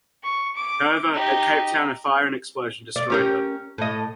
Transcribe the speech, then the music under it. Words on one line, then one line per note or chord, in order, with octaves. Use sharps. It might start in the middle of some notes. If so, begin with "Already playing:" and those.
However, at Cape Town a fire and explosion destroyed her.
C#6
D6
D#4 G4
D5
C#4 G4 A#4
A2 D#5